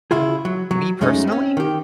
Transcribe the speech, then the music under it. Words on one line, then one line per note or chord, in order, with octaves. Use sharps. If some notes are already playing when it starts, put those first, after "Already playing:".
me, personally?
C#3 E4 F4 G#4
F#3
F#3
F#2 G#3 A3 C#4 D#4
C4 C#4
D#3 G4